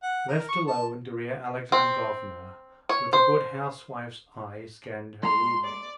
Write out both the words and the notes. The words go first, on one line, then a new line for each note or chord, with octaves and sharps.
Left alone, Darya Alexandrovna, with a good housewife's eye, scanned her room.
F#5
A#4
C#6
A5
C4
C#5
C5
G#3 A#5 C6
D5